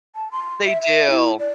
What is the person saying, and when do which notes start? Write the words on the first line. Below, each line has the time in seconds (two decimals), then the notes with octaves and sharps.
they do.
0.15 A5
0.32 C6
0.66 E5
0.81 E5
1.10 E4
1.39 D5